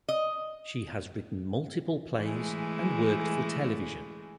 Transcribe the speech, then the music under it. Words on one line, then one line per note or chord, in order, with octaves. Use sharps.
She has written multiple plays and worked for television.
D#5
E3 G#3 A3